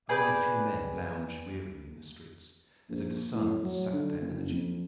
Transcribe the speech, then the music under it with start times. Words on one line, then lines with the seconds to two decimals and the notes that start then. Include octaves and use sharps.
Only a few men lounged wearily in the streets, as if the sun had sapped their energy.
0.09 G#4 B4 D5 G5
2.90 A#1
3.34 A2
3.64 F#3
3.93 D3
4.22 F#1
4.50 F2